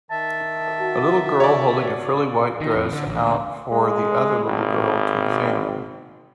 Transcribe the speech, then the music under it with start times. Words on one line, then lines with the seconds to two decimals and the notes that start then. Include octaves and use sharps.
A little girl holding a frilly white dress out for the other little girl to examine.
0.11 D#3 E5 A5
0.80 F#4
1.40 C#5 D5
2.61 D#3
2.76 F2
2.92 D3
3.07 A1
3.21 D2
3.72 G#3
4.45 G#1